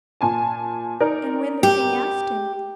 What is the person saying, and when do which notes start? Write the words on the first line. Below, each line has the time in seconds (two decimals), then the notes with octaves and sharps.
And when the king asked him.
0.21 A#2 G#5 A5
1.00 D#4 A#4 D5
1.63 G4